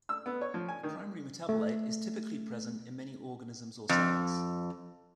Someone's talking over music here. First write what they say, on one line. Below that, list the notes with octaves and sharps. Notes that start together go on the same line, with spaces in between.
A primary metabolite is typically present in many organisms or cells.
E6
B3
C#5
F3
G#5
D#3
A3
F2